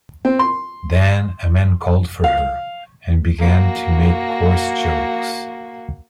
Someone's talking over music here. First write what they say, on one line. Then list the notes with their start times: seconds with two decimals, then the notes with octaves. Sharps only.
Then a man called for her, and began to make coarse jokes.
0.25 C4
0.39 C6
2.24 F5
3.39 A#3 F#4